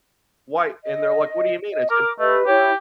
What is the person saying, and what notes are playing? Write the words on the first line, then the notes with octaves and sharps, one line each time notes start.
Why, and they're like, "What do you mean?" I said,
D#5
D#5
A#4 D6
A3 G4 B4 D#5
E4 G4 C#5